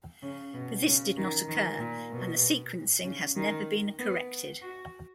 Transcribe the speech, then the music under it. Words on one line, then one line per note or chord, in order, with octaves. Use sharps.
But this did not occur, and the sequencing has never been corrected.
C#3
B2
C#3
D#3
D#3
A#2
B2
C#3
D#3
B3
F#4